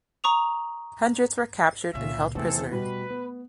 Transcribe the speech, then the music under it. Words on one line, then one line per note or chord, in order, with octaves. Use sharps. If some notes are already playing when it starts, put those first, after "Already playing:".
Hundreds were captured and held prisoner.
A#5 C#6 D#6 F7
C#2 A#2 C#4 F4 E5
E2 C3 A3 C4 G#4 A4
B2 G3 F#4 B4
B3